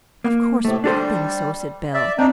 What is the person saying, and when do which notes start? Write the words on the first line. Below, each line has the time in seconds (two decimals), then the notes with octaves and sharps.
"Of course we think so," said Bell.
0.24 A#3
0.65 A2 C3 A3
0.84 G3 D4 A4 C5
1.94 D5 E5
2.19 C4 D4 D#4